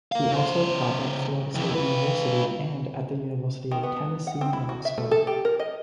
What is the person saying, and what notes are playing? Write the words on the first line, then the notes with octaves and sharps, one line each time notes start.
He also taught at Florida State University and at the University of Tennessee–Knoxville.
A#4 F5
C#3 C5
F2 E3
F4 B4
D#3
B3
F#5
C4
E4
F#4
E5
A3
A4
G4
A#4
D#5